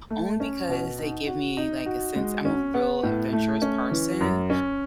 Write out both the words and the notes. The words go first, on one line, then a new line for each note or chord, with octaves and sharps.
only because they give me like a sense I'm a real adventurous person,
A3
C#4
B2
D#4
F#4
D#4
F#4
G#3
C#4
B3
A2
A3
C#4
E3
F#2
C#4